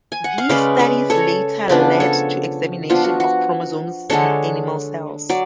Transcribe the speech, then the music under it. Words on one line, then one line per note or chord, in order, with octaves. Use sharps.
These studies later led to examination of chromosomes in animal cells.
G#5
F#5
F5
C#3 G#3 C#4 B4 D5
B4 D5
A4 C#5
C#3 F3 B3 D4 B4 D5
A4 C#5
F3 B3 D4 F4
F#4
F#4
D3 G#3 D4 A4 C#5
F#3 D5